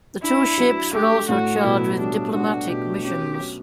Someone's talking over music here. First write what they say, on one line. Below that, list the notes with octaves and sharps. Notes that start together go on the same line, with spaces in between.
The two ships were also charged with diplomatic missions.
D4 E4
F#3
A3 G4
A2 F#4
B2 E4
G3 D4
D4 F#4
B2 G4
C#4 G4
F#3